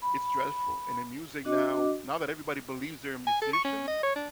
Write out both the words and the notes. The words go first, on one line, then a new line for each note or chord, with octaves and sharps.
it's dreadful. And in music now, now that everybody believes they're a musician,
B5
D4 F#4 D#5 D6
G#5
A4
C#6
C#4
D#5
C#5
D4